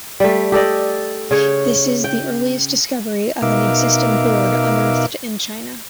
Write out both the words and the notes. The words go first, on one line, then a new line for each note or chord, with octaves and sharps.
This is the earliest discovery of an existing board unearthed in China.
G3 A3
G4 A4 D5 D#5
C#3 C#5
G5
B2 D#4 A#4 E5 F5 D6